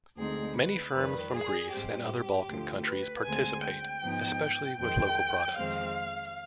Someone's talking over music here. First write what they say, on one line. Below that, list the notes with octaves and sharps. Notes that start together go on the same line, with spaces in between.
Many firms from Greece and other Balkan countries participate, especially with local products.
D2 D3 G#3 C4 D#4 G#4
B4
F2 D#3 G3 B4
G#4
G#2 G3 C4 G4
D2 D3 F3
B4
D2 D3 G#3 C4 G#5
G5
G#2 F3 B3 D#4
F2 D#3 G#3 G5
F2 D#3 G#3 C4 F5